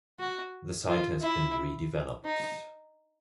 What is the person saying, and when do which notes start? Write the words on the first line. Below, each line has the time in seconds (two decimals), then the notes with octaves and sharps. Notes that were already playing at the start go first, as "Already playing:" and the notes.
The site has been redeveloped.
0.20 F#4
0.89 F4
1.22 E4
2.25 D#4